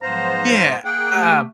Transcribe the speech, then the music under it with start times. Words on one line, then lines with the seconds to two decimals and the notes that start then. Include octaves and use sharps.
Yeah, uh,
0.02 G#2 F3 F#3 B3 C5 F5 A#5
0.84 A#3 G#4 F#5 G5
1.12 A3 G4